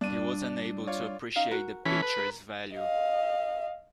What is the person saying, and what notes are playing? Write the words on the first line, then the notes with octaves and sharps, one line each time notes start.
He wasn't able to appreciate the picture’s value.
G2 D4 D#7
F4 C#5 D5
C#4 D#4 F5
F#4 A#4
E3 C#4 A4 B5
B4
A#4
D#5 F5